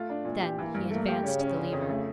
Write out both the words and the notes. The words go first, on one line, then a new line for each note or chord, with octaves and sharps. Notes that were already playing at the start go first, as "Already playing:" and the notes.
Then he advanced the lever.
Already playing: A3 F4
D4
A#2 E3
G4
E3 A#3
G2
A3 A#3
G4
C#3 C#4
C#4
D3
F2
A3